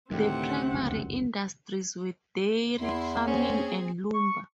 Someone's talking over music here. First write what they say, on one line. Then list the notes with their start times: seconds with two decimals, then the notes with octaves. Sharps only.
The primary industries were dairy farming and lumber.
0.11 D2 A2 C3 D#3 C4 G4 F#5
0.72 F1 C#2 F#2
2.79 E2 E4 C6
3.27 A#3 C4 C#4 G#4
4.13 C#6